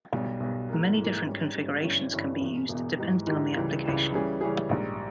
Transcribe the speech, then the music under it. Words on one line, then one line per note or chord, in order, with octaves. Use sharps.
Many different configurations can be used depending on the application.
B1 B2 G3
B1 B2 G3
G#2 E3 A#3
G#2 E3 A#3
G#2 G3 C#4
G#2 G3 C#4
G1 G2 E3 G3 C#4
G1 G2 E3 G3 C#4
E1 E2 B2
E1 E2 B2
G#2 E3 G#3 D#4 G4
G#2 E3 G#3 D#4 G4
C#2 C#3 E3 G3
C#2 C#3 E3 G3
C#3 E3 G3 C#4 G#4
C#3 E3 G3 C#4 G#4
A#1 G#2 G3